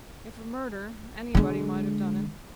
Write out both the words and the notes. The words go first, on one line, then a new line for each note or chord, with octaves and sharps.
If a murder, anybody might have done it.
D3 G#3